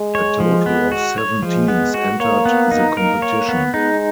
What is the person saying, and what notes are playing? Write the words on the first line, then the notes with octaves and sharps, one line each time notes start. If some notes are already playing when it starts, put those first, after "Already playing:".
A total of seven teams entered the competition.
Already playing: G#3
C#5
F3
B3
F#4
C#5
F3 G#3
B3
F#4
A#3 C#5
B3
D#4
A#3 A#4
C#5
B3
G#3 D#4